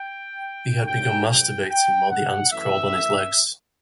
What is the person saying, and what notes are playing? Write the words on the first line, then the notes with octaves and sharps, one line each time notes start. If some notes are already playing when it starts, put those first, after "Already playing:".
He had begun masturbating while the ants crawled on his legs.
Already playing: G5
G2 F#3 A3 G5
G5
G5
F#5
F#2 E3 A3 E5